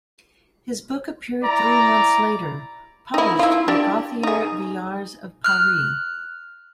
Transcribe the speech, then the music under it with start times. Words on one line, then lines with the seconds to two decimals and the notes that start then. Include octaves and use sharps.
His book appeared three months later, published by Gauthier-Villars of Paris.
1.44 E4 D5 A#5
3.14 D#4 E4
3.39 E4 F4
3.68 D4 G4
4.23 D#4 G#4
5.44 F6 F#6